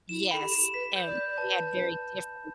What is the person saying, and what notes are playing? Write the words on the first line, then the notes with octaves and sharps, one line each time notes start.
yes, and we had very different
E4 E7
A4 B5
G4
E7
B4 B6
G6
D5
G6
D5
B4 A5